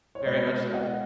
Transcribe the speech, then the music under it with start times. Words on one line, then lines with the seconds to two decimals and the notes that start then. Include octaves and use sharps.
Very much so.
0.15 C#5
0.26 B2 G#3 B3 F#4 B4 D#5
0.74 D#5 F#5